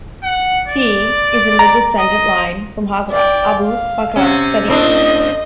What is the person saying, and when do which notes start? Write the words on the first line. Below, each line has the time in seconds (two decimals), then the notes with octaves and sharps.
He is in the descendant line from Hazrat Abu Bakar Saddiq.
0.23 F#5
0.68 D5
1.59 A#5
1.99 D#5
3.11 D5 G5
3.61 F5
4.16 C3 C#4
4.68 A2 C4 D4 D#5